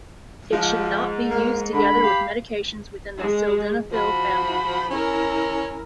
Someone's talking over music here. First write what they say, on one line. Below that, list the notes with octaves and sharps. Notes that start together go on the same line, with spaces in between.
It should not be used together with medications within the sildenafil family.
F3 G#3 D#4
A#3
D3 B5
G4 F5
G#3
F3 F#4 B5
C#4 E4 A#4